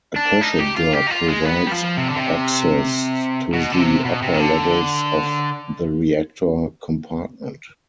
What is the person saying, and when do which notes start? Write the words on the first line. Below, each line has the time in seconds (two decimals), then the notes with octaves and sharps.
A pressure door provides access to the upper levels of the reactor compartment.
0.16 D4
0.41 D#4
0.59 G4
0.76 F4
0.93 G4
1.07 D#4
1.10 F4
1.28 G#3
1.45 B3
1.67 G3
1.71 F3
1.97 C3
2.07 D3
2.17 C3
3.53 B2
3.72 D3
3.79 C3
4.05 B2
4.22 C3
4.34 D#3
4.40 D3